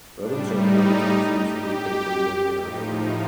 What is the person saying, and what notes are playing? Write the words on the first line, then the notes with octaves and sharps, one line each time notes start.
Rodents are almost exclusively taken when they are available.
A2 G3 D4
D#4
G4
A2 F3 D#4
D#4